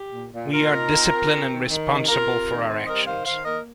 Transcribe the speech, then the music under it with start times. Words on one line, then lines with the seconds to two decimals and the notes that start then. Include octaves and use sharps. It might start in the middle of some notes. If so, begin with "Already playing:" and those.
We are discipline and responsible for our actions.
Already playing: G4
0.13 A#2
0.32 A#2
0.52 A#2 F4 A#4
0.71 D#4
0.91 C4
1.10 C4
1.31 C4
1.50 D#3
1.70 D#3
1.89 C3
2.08 C3 F4 A#4
2.29 C3
2.48 D#3
2.67 C4
2.86 G3 A#4 D#5
3.07 D#3 C5 F5
3.26 D#3 C5 F5
3.45 A#3 A#4 D#5